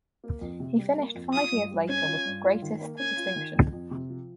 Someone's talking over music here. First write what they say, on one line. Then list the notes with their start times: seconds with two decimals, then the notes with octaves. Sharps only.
He finished five years later with greatest distinction.
0.24 A#3
0.41 F2
0.60 C3
0.78 G3
0.97 A#3
1.15 F2
1.34 F4 D#6
1.53 G2
1.71 G3
1.89 C#4 G#5
2.07 F4
2.26 G2
2.44 F4
2.62 D#3
2.81 A#3
2.99 C#4 G#5
3.17 F4
3.36 D#3
3.54 F2
3.73 F2
3.91 C3
4.10 F3